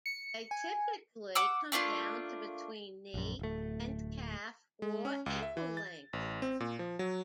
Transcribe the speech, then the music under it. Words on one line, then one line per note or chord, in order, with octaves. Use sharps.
They typically come down to between knee and calf or ankle length.
C#7
G#5
F#5 D6 E6
A3 A#3 D4 F4
A#1 F#2
D1 A3
G#3
C#4
C#2
E5
E3
A6
A1
C4
A#2
F3
F#3